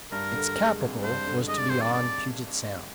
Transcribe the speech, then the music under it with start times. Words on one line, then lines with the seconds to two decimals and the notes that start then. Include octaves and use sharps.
Its capital was to be on Puget Sound.
0.12 G2 A#4
0.35 D3
0.58 G#3
0.80 G#1
1.03 G2 C5
1.26 D3
1.48 G#3 D#5
1.59 D5
1.69 G#1 C5
1.81 D5
1.94 D5